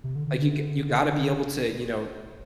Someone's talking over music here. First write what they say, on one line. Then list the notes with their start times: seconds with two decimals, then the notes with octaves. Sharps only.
like, you g you gotta be able to, you know,
0.04 C3
0.16 D3
0.27 D3
0.39 D3